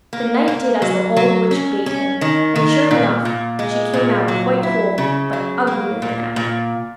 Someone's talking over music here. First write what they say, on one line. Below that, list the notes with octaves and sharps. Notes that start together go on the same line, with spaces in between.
The knight did as the old witch bade him, and, sure enough, she came out quite whole, but uglier than ever.
A#3
A#3
F#3
F#3
C#4
C#4
D#3
D#3
A#2
A#2
G#3
A#2
F#3
E4
C#3
F#3
A#3
A#2
A#2